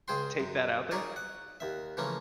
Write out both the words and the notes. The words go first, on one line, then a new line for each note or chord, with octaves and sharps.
Take that out there?
C#2 C#3 G#4 C5 G5 C6
F#2
D#4 G#4 A#4 C#5 D5
F#5
D#2 E5
C#3 E3 F3 A3 A#3 C#4